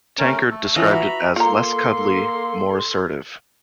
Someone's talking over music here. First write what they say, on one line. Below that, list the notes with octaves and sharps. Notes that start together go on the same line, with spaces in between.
Tankard described it as less cuddly, more assertive.
A3 C#4 A#4
A3 A4
E3 C#4 F4 A4 D#5 F#5
F#4 E5 A#5 B5
A#3 F4 A4 A#5 C6